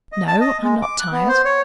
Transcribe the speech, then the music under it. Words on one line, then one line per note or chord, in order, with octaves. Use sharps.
"No, I'm not tired."
D#5
A5
D#5
G#3
D6
F#6
B3
C5
C#5